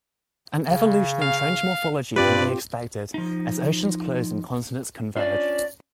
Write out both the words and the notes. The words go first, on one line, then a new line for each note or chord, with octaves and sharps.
An evolution in trench morphology can be expected, as oceans close and continents converge.
C#3
F5
G2 C4 F4 G4 B4 D5
F3 D#4
C#4 D4 F4 D5